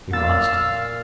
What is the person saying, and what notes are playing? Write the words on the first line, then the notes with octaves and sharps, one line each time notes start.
We must.
A#2 F5 D6 E6 A6